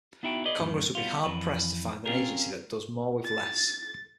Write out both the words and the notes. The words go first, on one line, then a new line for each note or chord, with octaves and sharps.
Congress would be hard-pressed to find an agency that does more with less.
B3 D#4 E4 F#4 G5
G#4 B4 D5 D#5
F#2 A2 D#3
G3 B3 F4
F2 E3 B4
C4 C#4 F4 G4 G#4 A#4
A6